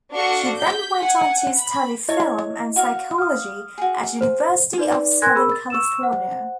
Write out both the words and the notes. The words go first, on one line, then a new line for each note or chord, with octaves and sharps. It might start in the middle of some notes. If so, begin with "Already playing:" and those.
She then went on to study film and psychology at University of Southern California.
D4 F#4 A4 F5 F#5 C#6
G6 B6
F#5 G#5
B5
E4 C#5 D#5 E5 C#6
F#4 F5 C#6
D#6 F6
F#4 G#4
C5
D#4 B4 D5
A#4 G#5 C6 F#6 G#6 A#6
G#4 A#4 B5 E6
A6
C#6 E6 E7
C5 F#5